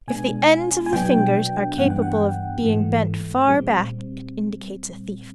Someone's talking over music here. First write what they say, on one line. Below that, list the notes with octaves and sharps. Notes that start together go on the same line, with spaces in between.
If the ends of the fingers are capable of being bent far back, it indicates a thief.
B2 G#3 B3 D4 G#5
G#5
B2 F#3 B3 D4 G5
G2 E3 G3 B3 D4 F#5
G5
F#5
G#2 E3 A3
A#2 G3 C4